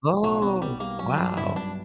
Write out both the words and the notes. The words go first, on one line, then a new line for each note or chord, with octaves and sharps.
Oh, wow.
B1 F#3
F#3 B3
G3 B3
G3 A#3
F#3 C#4
G2 D4
G2 E4
G2 D4